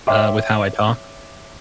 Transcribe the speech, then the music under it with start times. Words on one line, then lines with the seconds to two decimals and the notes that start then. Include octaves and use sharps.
uh, with how I talk
0.07 C#5 E5 G5 C6 D6